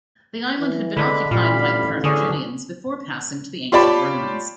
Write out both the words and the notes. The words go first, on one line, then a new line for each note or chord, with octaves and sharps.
The island had been occupied by the Carthaginians before passing to the ancient Romans.
E3
D3 G#3 D4 B5
A1 A#2 G3 F5 B5
D3 C#4 D4 G#4
F4 G4 C#5 D5 A5 B5